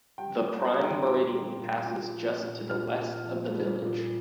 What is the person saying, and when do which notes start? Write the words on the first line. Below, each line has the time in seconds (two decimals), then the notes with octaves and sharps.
The Prime Meridian passes just to the west of the village.
0.18 G3 G5
0.46 G3
0.60 A#5
0.74 G3
0.93 C6
1.01 A#2 D6
1.29 G3
1.57 A#2
1.86 A#2
2.14 F3
2.42 A#2
2.70 A#2 F6
2.97 A#2
3.25 F3
3.54 G3
3.82 A#2